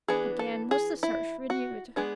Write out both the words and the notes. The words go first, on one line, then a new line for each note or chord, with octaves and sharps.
Again was the search renewed.
E3 B3 D4 G#4
A4
G#4
E4
F#4
G#3 B3 D4 G#4